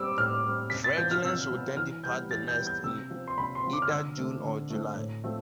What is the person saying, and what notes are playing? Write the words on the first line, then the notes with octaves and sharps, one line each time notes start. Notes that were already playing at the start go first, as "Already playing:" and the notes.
Fledglings will then depart the nest in either June or July.
Already playing: G3 C4 D6 E6
A2 F6
G3 C4
C3 B6
A6
F3 B3 G6
F6
C3 E6
F3 B3
E3 F6
G3 B3 G6
E3 A6
G6
G3 B3
G6
C3 E6
F3 C4
C6
C3 B5
C6
F3 C4
D6
F6
D3 E6
A3 C4
D3
A3 C4
A2
F3 A3 C4